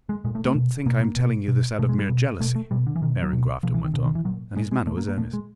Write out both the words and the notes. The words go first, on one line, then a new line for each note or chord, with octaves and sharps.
"Don't think I am telling you this out of mere jealousy," Aaron Grafton went on, and his manner was earnest.
G#3
A#2 G#3
A3
A3
B2
B2 A#3
A#3
B2
B2
B2 A3
G#3
G3
B2
B2 A3
A3
B2 G3
D3
E3
B2 D#3
F#3
B2
B2 F3
E3
D#3
B2 D3
D#3
E3
A#2 F#3
A#2 G#3
G#3
A#2 A3
A#3
A#3
A#2 A3
G#3